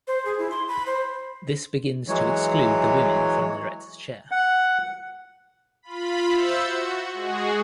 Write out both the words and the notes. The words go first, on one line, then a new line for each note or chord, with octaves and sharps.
This begins to exclude the women from the director's chair.
C5
G#4
E4
C6
B5
C5
E3 F#3 G#3 C#5
F#5
F4 B5
C5 E5 E6 G6 A6 C#7
F#4
G#3 F#4 G#4